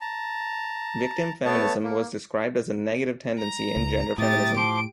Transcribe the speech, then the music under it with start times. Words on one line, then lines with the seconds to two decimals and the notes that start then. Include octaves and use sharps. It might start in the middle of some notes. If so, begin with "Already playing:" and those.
Victim feminism was described as a negative tendency in gender feminism.
0.01 A5 A#5
1.45 A3 B3 C#5 A5
1.84 A#3
3.38 A#5
3.76 C#2
4.18 A2 C3 G4 D#6 A6
4.57 F3 C6 D6 D7